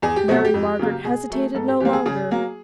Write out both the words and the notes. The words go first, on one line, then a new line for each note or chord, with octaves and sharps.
Mary Margaret hesitated no longer.
E2 G#4
G4
B2 F#3 A3 C4 F#4
G4
F2
C#3 F#3 A#3
B2 G#4
F#3 A3
G#2 A4
G4
E3 G3 A#3 G4
G#4
C#3 G#4
F#3 A#3